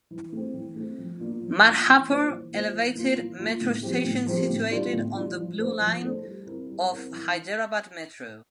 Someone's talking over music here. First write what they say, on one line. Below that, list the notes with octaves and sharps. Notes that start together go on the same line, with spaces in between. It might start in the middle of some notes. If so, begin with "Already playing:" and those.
Madhapur elevated metro station situated on the Blue Line of Hyderabad Metro.
E3
A3 C4
E3
A3 C4
F3
A#3 D4 F4
F3
A#3 D4 F4
E3
A#3 F4 C5
E3
A#3 F4 C5
E3
A#3 F4
E3
A#3 F4
A2
F3 C4 G4
A2
F3 C4 G4
A2
E3 G3 D4 F4
A2
E3 G3 D4 F4
F3
A3 D4 A4 C5
F3
A3 D4 A4 C5
G3
C4 E4 A#4
G3
C4 E4 A#4
E3